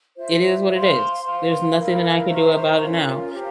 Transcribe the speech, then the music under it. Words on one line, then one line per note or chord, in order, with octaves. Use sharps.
it is what it is. There's nothing that I can do about it now,
F4 C5 E5
C5 F5 C6
C5 F5 C6
E4 A#4 F5
C5 E5 A#5 C#6
C#4 F4 A#4 F5
G4 C5 F5 A#5